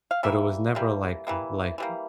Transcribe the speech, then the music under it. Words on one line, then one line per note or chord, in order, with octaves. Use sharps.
but it was never, like uh, like,
F5
E3 G3 A#3 E5
E3 G3 A#3
E3 G3 A#3
E3 G3 A#3